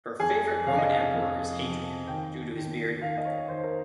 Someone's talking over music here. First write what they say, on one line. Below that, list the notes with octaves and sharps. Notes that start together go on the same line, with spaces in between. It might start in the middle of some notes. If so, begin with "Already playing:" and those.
Her favorite Roman emperor is Hadrian due to his beard.
F2 G#4
C3 F3 F5
D#5
F5
F2
C3 F3
D#2 G5
D#3
D#2 F5
D#5
C#5
D#3 C5
A#4